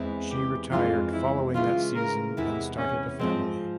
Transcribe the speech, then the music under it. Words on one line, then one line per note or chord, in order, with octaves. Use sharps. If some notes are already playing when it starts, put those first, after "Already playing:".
She retired following that season and started a family.
Already playing: E2 E3 G#3 C4 E4
G4
F2 E3 G#3 C4 F4
E4
C#3 E3 G#3 E4 F4
A#4
E2 C3 E3 G#3 E4
C#4
G#2 F3 G#3 C4